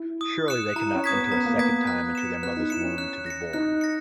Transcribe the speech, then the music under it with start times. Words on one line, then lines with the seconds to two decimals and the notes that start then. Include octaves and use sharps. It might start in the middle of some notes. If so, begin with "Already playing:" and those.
Surely they cannot enter a second time into their mother's womb to be born!
Already playing: E4
0.21 D#6
0.48 F#6 C#7 E7
0.76 E4 A#5
0.94 C#4
1.04 D#6 G#6 B6
1.13 B3
1.32 B3 A#5
1.46 A#3
1.58 B3 D#6 G#6 B6
1.87 F#6
2.15 C#7 E7
2.43 B3 F#6
2.57 D#4
2.70 E4 C#7 E7
2.84 C#4
2.98 F#6
3.26 A#6 C#7
3.53 D#4 F#6
3.81 A#6 C#7